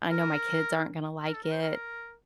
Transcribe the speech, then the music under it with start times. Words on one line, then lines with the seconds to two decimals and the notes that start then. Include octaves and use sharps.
I know my kids aren't gonna like it.
0.11 A#4
1.25 A#4
1.34 A4
1.43 A#4
1.52 C5
1.62 A#4